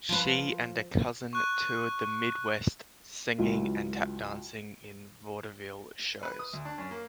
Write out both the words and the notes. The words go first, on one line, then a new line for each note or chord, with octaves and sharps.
She and a cousin toured the Midwest, singing and tap-dancing in vaudeville shows.
F3 B4
C#6 F#6
C#2 F#3 E4 F4
B4
D#6
D2
D4
F#2
A#3